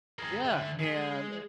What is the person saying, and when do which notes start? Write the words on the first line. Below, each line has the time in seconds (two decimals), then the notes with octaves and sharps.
Yeah, and
0.19 G#4 A#4
0.45 D3 E5
0.79 G#3 G#4